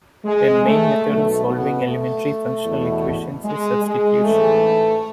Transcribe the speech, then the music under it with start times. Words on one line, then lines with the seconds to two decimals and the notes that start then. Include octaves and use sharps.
A main method of solving elementary functional equations is substitution.
0.25 G#3
0.65 A3
1.05 B1 B2 A3
1.44 B2 B3
1.84 A3
2.65 E2 B2
3.44 G#3
3.83 G#3
4.23 A1 G#2 E3 A3